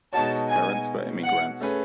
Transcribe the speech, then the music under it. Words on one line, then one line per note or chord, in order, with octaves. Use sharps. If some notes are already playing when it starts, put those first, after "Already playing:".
His parents were immigrants.
B2 G#3 D#4 F#4 C#5 A5
G#5
F#5
A3 C#4 G#4 B4